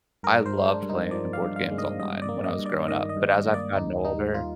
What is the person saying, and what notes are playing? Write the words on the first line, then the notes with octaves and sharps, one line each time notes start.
I loved playing board games online when I was growing up, but as I've gotten older
G2 A#4
C5
G#3
D4
G2
D#4
F3 D5
F5
G2
F5
G#3
D#5
G2 D#5
D5
A#3
D#5
G2
D5
D#3 D#5
D#5
G2
D#5
A#3
D5
D#2 D#4
G3 D#4
F4